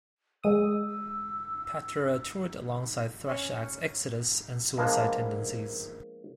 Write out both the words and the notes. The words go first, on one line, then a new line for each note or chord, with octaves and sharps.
Pantera toured alongside thrash acts Exodus and Suicidal Tendencies.
G#3 D#6 E6
C#4
F3 G#3 A#3 B3 D4